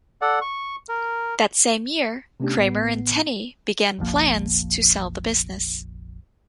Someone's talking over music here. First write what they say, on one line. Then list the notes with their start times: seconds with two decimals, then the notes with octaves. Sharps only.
That same year Kramer and Tenney began plans to sell the business.
0.22 A4 D5 F#5
0.42 C#6
0.89 A#4
2.40 C3 A3 B3 C#4 D4 G4
2.58 A1 A2 B3 C7
3.99 F1 A#1 F3 A#3